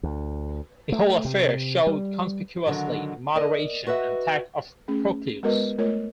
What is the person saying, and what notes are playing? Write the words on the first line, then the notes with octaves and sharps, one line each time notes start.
The whole affair showed conspicuously the moderation and tact of Proclus.
D2
A3
C3
G3
D3 D#3 F#3
A#4 D5 D#5
F#4 B4 D#5 E5
A3 C#4 G#4
G#3 B3 F#4 A#4 B4 D#5
A3 F4 A#4 C#5 D#5